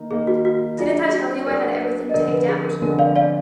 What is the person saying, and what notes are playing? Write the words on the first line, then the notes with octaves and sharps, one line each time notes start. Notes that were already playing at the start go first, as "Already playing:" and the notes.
Didn't I tell you I had everything taped out?
Already playing: D#3 A#3 D#4
D#3 A#3 D#4 G#4
F#4
F#4
F#3 D4 F4 G#4 D5
G#4
F#4
F#3 D4 G#4 A#4 D5
A#4 D5
D#5
F2 D3 G#3 B3 A#4 D5
B4
G#4
G#4
A#4
F2 D3 G#3 B3 A#4
D5 F5
D5 F5